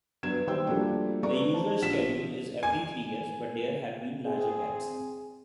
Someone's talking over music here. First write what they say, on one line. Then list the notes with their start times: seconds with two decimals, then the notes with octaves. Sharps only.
The usual schedule is every three years, but there have been larger gaps.
0.23 G2 F#3 B3 G#6 E7
0.47 D#2 G3 C5 G5 E6
0.66 F3 G3 A3 A#3 D4 F#4
1.23 A3 B3 D5 A#5 C#6
1.50 C5 A5
1.82 A#1 F3 G4 B6 E7
2.63 G#5
4.23 C4 G#4